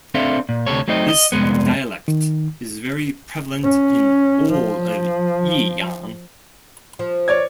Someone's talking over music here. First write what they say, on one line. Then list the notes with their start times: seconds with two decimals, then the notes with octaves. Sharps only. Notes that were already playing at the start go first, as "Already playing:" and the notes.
This dialect is very prevalent in all of Yiyang.
0.14 C4 D4 A4 E5 F5
0.49 A#2
0.67 D2 G#2 C3 A4 C#5
0.88 F#3 A3 C4 D#4 D#5
1.09 D#5
1.32 C2 F2 G#2 G#3 B3
2.08 D#3
3.64 C#4
4.51 F3
6.99 F3
7.28 C#5 D5 G#6